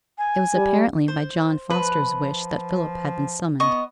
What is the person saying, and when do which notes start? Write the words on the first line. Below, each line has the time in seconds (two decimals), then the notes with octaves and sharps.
It was apparently by John Foster's wish that Philip had been summoned.
0.18 G#5
0.56 G3
1.08 C5
1.70 F3 B4
3.60 B3 D#5 C#6